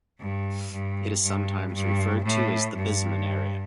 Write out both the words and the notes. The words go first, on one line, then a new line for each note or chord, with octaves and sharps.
It is sometimes referred to as the Bisman area.
G2
G2
G2
G2
A2
G2